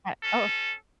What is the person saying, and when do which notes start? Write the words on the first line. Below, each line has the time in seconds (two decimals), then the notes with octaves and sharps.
Uh oh.
0.22 C#4 A4